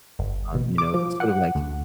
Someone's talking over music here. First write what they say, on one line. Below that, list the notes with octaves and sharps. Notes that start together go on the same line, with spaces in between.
um, you know, sort of like,
G1
B2
D6
F3
F#5
D2